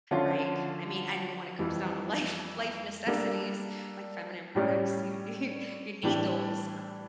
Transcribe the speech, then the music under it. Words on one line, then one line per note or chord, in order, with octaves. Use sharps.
right? I mean, and when it comes down to life life necessities, like feminine products, you you you need those.
D3 F3 C#4 F4
F2 E3 G3
G3 A#3 D4 A4 D5
A2 G3 C#4 G4 D5
A2 E3 G3 D4 G4